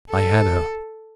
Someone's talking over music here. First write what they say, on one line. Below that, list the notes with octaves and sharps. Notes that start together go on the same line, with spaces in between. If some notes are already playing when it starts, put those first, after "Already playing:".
I had her!
A4